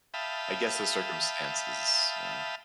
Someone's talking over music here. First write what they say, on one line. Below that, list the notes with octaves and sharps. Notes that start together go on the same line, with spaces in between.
I guess the circumstances yeah.
E5 F5 G5 A5 B5 D#6